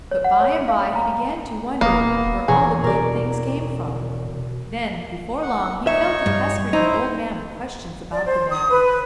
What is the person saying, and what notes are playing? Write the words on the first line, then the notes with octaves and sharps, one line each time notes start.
But by-and-by he began to wonder where all the good things came from. Then, before long, he fell to pestering the old man with questions about the matter.
C#5
F#5
C#5
F5
A#5
D#1 A#3 B3 D#6
E1 B2 G#4 C#5 A#5
B2 A#4 D5
F#5
D#4 C#5 E5 C#6
G2
D#4 E4 C5
D5
C5
D#6
B4